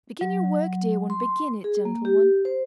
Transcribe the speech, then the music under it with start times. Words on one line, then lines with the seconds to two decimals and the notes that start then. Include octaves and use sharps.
Begin your work, dear one, begin it, gentle one!...
0.21 F#3
1.10 C6
1.64 G#4
1.85 A#3
2.05 G4
2.45 C5